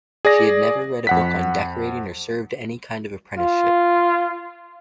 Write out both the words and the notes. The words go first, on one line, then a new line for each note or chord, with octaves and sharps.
She had never read a book on decorating or served any kind of apprenticeship.
G#4 D5 A#6
F2 F#5 B6
F4